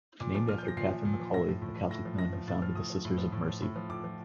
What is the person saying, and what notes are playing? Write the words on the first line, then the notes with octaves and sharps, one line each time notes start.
Named after Catherine McAuley, a Catholic nun who founded the Sisters of Mercy.
A#2 D6
F3 D6
A#2 F6
G6
F3
A#6
A#2 C7
F3
A#2
F3
A2 A#6
F3
A2
F3
A2 A#6
F3
A2 A#6
F3
A2 A6
F3 F6
A2 D#6
F3
A2
F3
A2
F3
A2
F3
A2 D6
F3